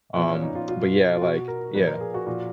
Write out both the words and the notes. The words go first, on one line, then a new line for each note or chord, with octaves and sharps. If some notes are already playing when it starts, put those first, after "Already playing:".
Um, but, yeah, like Yeah.
A#2 F3 B3
C#4
D#4
F4
B2 F4
F4
B2 F#4
A#4
A#2 F3 B4
A#4
G#4
F#4
A#2 F3